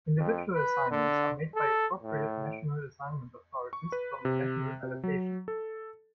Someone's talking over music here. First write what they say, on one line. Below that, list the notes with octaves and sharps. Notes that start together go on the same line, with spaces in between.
Individual assignments are made by appropriate national assignment authorities from the national allocation.
F2
B4
D3
A4
A2
C#6
B4
C3
C3
F#3
A4